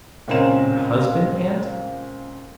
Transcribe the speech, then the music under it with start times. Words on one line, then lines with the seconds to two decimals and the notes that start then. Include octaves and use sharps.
'Your husband, aunt?
0.28 C#2 A#2 C4 C#4 A#4 E7